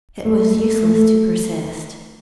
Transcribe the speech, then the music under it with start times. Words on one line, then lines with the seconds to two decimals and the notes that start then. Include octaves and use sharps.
It was useless to persist.
0.24 A3
0.53 A3
0.81 A3